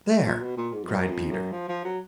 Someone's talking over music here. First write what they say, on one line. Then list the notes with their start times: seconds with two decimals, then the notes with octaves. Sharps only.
"There!" cried Peter.
0.25 A#2
0.41 B2
0.57 A#2
0.73 G#2
0.83 F2
0.88 F#2
1.10 F2
1.31 F#2
1.52 F3
1.69 F3
1.84 F#3